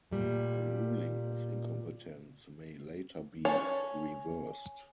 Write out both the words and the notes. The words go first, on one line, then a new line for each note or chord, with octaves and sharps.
A ruling of incompetence may later be reversed.
A#2 G3 A3
C#4 A4 C#5 A5